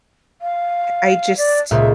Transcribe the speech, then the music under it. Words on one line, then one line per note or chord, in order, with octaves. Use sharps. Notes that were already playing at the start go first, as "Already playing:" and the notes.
I just
F5
D5
C#2 A#2 E5